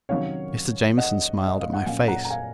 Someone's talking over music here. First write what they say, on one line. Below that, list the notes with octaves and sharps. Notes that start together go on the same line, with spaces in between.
Mr. Jamieson smiled at my face.
C3 D#3 F#3 C#4 C#5 F5
D#5 F#5
D#5
F5
F#5
A#2 F#3 A#3 C#4 F5 G#5
F#5 A#5
A#5
F5 G#5